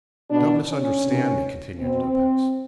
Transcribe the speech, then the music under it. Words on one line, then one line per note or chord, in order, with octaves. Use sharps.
"Don't misunderstand me," continued Lupex.
B2 D4
C#4
C3 D#3
B2 C4